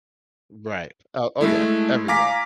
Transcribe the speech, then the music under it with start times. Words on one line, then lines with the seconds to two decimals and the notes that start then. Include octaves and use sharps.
Right, oh oh yeah, everywhere.
1.41 G#3 A3 E4
2.08 F5 G#5 A#5 D6 A#6 B6